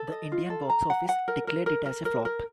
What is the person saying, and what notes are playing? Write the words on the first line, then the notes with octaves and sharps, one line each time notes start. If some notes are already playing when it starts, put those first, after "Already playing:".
The Indian Box Office declared it as a flop.
Already playing: A4
D#5
F4
A4
A#5
F#5
F#5
A#4
A#4
A#4
A#4
A#4
A#4